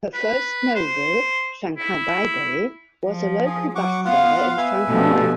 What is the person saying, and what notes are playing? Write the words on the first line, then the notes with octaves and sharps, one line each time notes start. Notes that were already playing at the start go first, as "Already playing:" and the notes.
Her first novel "Shanghai Baby", was a local bestseller in Shanghai.
B4
C5
E4
F3
G#4
F#3 F#5 C#6 D6
B3 F4 F5 F#5
B4 E5 G#5
G2 B2 F3 A3